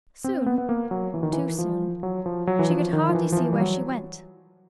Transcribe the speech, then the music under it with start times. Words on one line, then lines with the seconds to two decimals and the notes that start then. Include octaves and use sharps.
Soon, too soon, she could hardly see where she went.
0.24 C4
0.46 B3
0.58 B3
0.69 A#3
0.91 F#3
1.14 E3
1.23 D#3
1.33 E3
1.58 F3
2.03 F#3
2.26 F3
2.47 F#3
2.59 E3
2.70 F3
2.93 D#3
3.09 F3
3.15 E3
3.32 F3
3.37 E3
3.53 G3
3.60 F#3